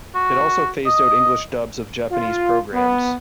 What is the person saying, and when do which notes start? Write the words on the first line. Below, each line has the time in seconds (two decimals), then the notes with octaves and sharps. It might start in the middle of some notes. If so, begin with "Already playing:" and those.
It also phased out English dubs of Japanese programs.
0.15 F#4
0.86 D#5
2.11 F4
2.73 B3